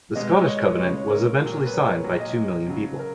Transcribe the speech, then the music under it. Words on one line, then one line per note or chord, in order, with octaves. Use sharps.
The Scottish Covenant "was eventually signed by two million people".
B2 G#3 D#5
C#5
D#5
C#5
B4
C#3 G#3 C#5
C#5
A#4
A#2 F#3
B4
C#5
A#2 F#3
D#5
C#3 F#3
A#4